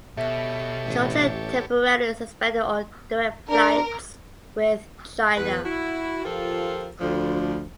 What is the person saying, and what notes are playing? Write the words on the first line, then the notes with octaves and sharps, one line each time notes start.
Georgia temporarily suspended all direct flights with China.
B2 G4 A4 C#5 E5
A1
D4 A#4
E2 B4
E4 F#4
F3 F4 G4 A4 A#4 C5
D2 F3 D4